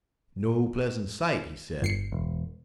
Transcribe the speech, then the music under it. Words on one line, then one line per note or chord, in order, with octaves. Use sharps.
"No pleasant sight," he said.
G1 C7 C#7
E1